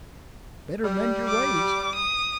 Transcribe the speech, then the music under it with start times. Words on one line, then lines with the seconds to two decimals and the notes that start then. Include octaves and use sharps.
Better mend your ways.
0.85 G3
1.28 D6
1.95 D#6